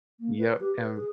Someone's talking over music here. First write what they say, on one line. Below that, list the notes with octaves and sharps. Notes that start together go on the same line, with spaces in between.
Yeah, and
A#3
B4
G4
B4
G#4